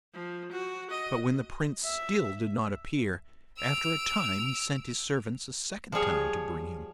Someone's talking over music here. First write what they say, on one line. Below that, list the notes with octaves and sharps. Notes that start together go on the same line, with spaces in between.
But when the Prince still did not appear, after a time he sent his servants a second time to bring him.
F3
F#4
D#5
E5
E6 D7 F7
F3 G3 G#4 C#5